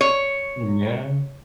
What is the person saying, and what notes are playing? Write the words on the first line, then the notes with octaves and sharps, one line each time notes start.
Mm, yeah.
C#5